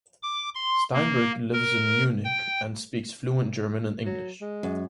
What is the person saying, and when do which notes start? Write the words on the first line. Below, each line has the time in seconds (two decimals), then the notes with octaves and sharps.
Steinberg lives in Munich and speaks fluent German and English.
0.22 D6
0.54 C6
0.93 A#3
1.53 A#4
2.24 G5
4.06 F#3
4.42 G#3
4.63 F#2